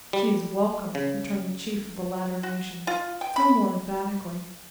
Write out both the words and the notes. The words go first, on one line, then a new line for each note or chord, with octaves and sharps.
"She is welcome," returned the chief of the latter nation, still more emphatically.
G3
C#3
F#4
F4
G5
B5